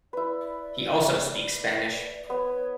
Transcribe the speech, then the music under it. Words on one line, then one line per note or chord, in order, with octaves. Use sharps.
He also speaks Spanish.
E4 B4 D5
B3 C#5